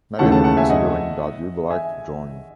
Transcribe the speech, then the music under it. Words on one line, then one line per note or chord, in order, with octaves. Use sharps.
Not even considering that you’d like to join.
D#2 C#3 E3 A3 F#5 A5
F#5 A5
F#5 A5
E5 G#5
D#5 F#5
E5 G#5